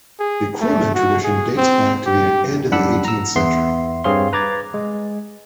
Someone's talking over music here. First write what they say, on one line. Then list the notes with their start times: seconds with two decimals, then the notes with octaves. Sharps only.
The 'Krumen' tradition dates back to the end of the eighteenth century.
0.19 G#4
0.61 A3
0.94 F#4
1.24 G#4
1.57 C4
2.06 G4
2.71 F#2 G3 D4 F#5 B5 E6
3.05 A#5 E6
3.36 E2 B3 E5 C6 C7
4.04 G2 C4 G#4 C#5 F5 C6
4.33 B4 A#5 D6 G#6 A6
4.74 G#3